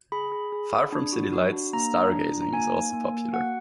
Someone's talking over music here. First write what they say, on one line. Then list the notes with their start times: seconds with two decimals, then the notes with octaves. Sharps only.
Far from city lights, stargazing is also popular.
0.12 G#4 B5
0.32 G#4
0.52 G#4
0.72 G#4
0.92 D4
1.13 F#4
1.33 F#4
1.53 D4
1.73 A#3 A#5
1.93 D4
2.13 D4
2.33 F4
2.42 A#5
2.53 A#3 G#5
2.73 D#4
2.93 A#3
3.14 A#3
3.33 F#4 F#5